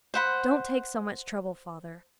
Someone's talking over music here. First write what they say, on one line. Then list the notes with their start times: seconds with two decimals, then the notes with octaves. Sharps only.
Don't take so much trouble, father.
0.14 C5 F#5 B5